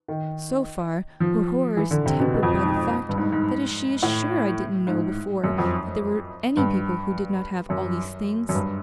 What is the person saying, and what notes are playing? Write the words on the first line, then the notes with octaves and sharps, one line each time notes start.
So far her horror is tempered by the fact that she is sure I didn't know before that there were any people who did not have all these things.
D#3
F3
E3
D3
C3
B2
B2
F2
G#2
G2
G#2
G#2
A2
G#2
F#2
F2
G2
F#2
F#2
G2